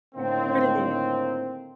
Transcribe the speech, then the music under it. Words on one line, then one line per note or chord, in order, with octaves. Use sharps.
I've heard of it.
A2 D3 D#3 A#3 C4